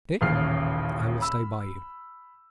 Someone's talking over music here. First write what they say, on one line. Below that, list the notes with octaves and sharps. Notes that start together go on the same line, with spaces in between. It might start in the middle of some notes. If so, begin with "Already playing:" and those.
Dick, I will stay by you.
D#1 A1 D#2 C#3 F6 C7
B5 E6